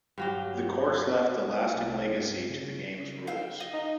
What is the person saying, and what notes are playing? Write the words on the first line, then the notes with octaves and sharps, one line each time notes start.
The course left a lasting legacy to the game's rules.
G2 F#3 G4
C2
G2
C#3
F5 G5 E6
D#5
D#4